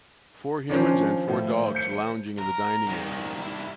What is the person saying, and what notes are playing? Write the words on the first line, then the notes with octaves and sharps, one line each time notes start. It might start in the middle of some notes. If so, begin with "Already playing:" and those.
Four humans and four dogs lounging in the dining area.
D#3 F3 C#4 D4
A2
G6 C#7
A#4
C2 D#3
G2 E4